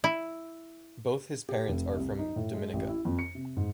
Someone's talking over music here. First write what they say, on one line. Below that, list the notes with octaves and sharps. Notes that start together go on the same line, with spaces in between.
Both his parents are from Dominica.
E4
G4
F1
C2
D#4
A2
G#3
A1
E4
F2
C#7
C3
G#2